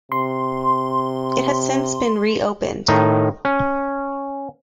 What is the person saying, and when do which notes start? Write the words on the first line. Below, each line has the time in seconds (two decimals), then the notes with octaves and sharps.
It has since been re-opened.
0.12 C3 C6
2.88 A2 D#3 D#4
3.45 C#4